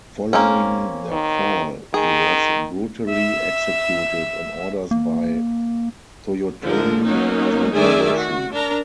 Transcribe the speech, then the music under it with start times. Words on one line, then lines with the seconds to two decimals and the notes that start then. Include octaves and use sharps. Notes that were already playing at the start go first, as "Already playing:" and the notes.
Following their fall, he was brutally executed on orders by Toyotomi Hideyoshi.
0.33 A#3 C4 C#4
1.12 D#3
1.94 D#3 G#4
3.09 E5 E6
4.91 A#3
6.62 D3 F3 G#3 A#4
7.03 F#3 A#3 B3 C#4 D#4
7.72 D#3 A3 G#4 D5 E5 G#5
8.18 F#4
8.52 D4 A#4 A#5